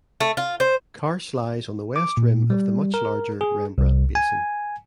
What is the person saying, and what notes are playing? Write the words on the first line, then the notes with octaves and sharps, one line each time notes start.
Karsh lies on the west rim of the much larger Rembrandt basin.
A3
F4
C5
D6
A#2
G3
A#4
G#4
C2
G#5